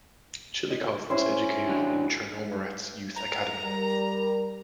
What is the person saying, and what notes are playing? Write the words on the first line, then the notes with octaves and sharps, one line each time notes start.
Chilikov was educated in Chernomorets's youth academy.
D#5
C#4 E4 C5
D#3 F#3 D4
A#5
G3 A#4